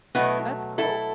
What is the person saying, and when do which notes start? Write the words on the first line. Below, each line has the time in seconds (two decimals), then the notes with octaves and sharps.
That's cool.
0.15 B2 F#3 A3 B3 E4
0.78 E4 A4